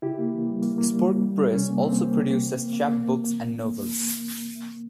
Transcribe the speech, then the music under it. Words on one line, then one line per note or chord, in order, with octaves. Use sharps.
Spork Press also produces chapbooks and novels.
C#3 E4 G4
A#3
E3
G3
A#3
A#3
G3
G3
G3
G3
C3 C#4
A#3
A#3 C4
A#3
A#3
C3
E3
A#3
A#3
A#3